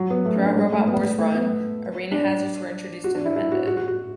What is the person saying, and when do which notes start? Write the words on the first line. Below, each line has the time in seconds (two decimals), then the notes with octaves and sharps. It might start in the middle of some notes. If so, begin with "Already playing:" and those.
Throughout Robot Wars' run, arena hazards were introduced and amended.
Already playing: F#3
0.10 B3
0.26 A3
0.36 C#4
0.46 D4
0.57 G#3
0.72 A3
0.87 B3
1.19 A3
1.35 B3
2.12 D4
3.04 F#4
3.15 D4
3.25 E4
3.36 E4
3.52 F#4
3.67 F#4
3.77 F#4
3.88 F#4